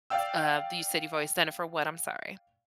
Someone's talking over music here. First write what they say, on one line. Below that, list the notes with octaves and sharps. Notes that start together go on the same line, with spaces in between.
Uh, do you said you've always done it for what? I'm sorry.
D5 F5 G5 E6